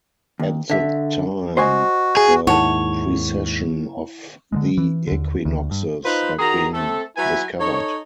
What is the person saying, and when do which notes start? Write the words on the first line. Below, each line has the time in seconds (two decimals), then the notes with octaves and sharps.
At the time, the precession of the equinoxes had not been discovered.
0.39 D#2
0.70 D3 E5
1.57 F#4 C5 D#5 G#5
2.17 G#4
2.47 D#2 G#2 E4 C#5 F#5 A5
4.52 D3 F3 G#3
4.78 E3
5.07 D#2 D3
5.45 D2
5.71 G2
6.05 D#4 F4 B4 C5
6.39 D#3 F#4 G#4 A#5
6.73 A3 C4 A4
7.17 F#3 E4 B4 E5 G#5
7.60 D#4 A4 C#5